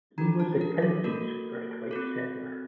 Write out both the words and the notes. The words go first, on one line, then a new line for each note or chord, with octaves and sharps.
He was the county's first white settler.
D4 F#4 A4 A#5
A5
A#4
A4
A#3 F#4 A4 A#4
C4 F#4 A4